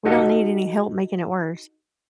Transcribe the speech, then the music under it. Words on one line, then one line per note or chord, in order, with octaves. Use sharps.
We don't need any help making it worse.
D#4 F#4 G4 A4 D#5 F#5